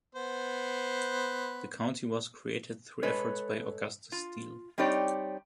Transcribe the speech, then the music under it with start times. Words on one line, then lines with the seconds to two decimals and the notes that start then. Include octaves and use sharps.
The County was created through efforts by Augustus Steele.
0.15 B3 C5
3.03 G#3 A4 B4 C#5
4.12 F4
4.78 G3 C4 D#4 G4 C#5 D5